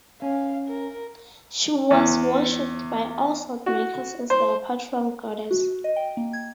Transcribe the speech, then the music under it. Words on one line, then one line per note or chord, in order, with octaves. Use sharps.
She was worshipped by all saltmakers as their patron goddess.
C#4 F5
A#4
E2
F#4
C5
F#4
D#5
G5
A#3
G#6